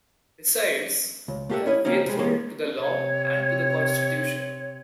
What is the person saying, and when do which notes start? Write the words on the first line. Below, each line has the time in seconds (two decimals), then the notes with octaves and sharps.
Besides, they are faithful to the law and to the constitution.
1.28 C#2
1.50 A3 A#3 G4 A4 E5 F#5
1.66 C#4 E4 C#5 D#5
1.85 C#3 A#3 C4 C#4 D#4
2.06 C3 G3 G#3 G#4
2.19 E3 G#3 A#3 C#4 G4 C#5
2.78 C3 C#5